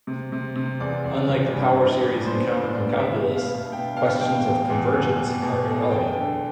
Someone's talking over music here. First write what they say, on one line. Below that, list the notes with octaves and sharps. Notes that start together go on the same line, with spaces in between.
Unlike the power series encountered in calculus, questions of convergence are irrelevant.
C3
C3
C3
E2 D5
E2
E2
G2
G2
B3
G2 C5
B3
D5
G2
B2 E5
B2
F5
B2
B2 G5
B2 F5
B2 G5
E2
E2
E2
B2
B2
A3
E2 G5
D3